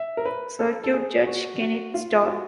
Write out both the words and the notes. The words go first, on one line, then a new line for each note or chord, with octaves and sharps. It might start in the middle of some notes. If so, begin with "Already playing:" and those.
Circuit judge Kenneth Starr.
Already playing: E5
A#4
B4
A4
A4
G#4
F#4
F#4
F4
G4
F#4